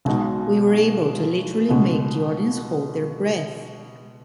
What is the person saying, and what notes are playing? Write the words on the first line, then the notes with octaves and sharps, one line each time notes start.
We were able to literally make the audience hold their breath.
B1 B2 G#3 D#4
C#2 B2 G#3